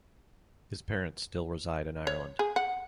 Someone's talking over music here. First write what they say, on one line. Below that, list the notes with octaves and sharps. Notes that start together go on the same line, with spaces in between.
His parents still reside in Ireland.
C#5
G#4
F#5